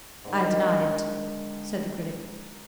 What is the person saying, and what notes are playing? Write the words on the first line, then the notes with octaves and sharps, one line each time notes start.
"I deny it," said the Critic.
G#2 D3 D#3